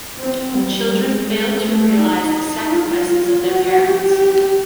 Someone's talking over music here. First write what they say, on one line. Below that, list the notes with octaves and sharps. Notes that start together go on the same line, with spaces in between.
Children fail to realize the sacrifices of their parents.
C4
G3
G#3
A3
D#4
F4
F#4
G4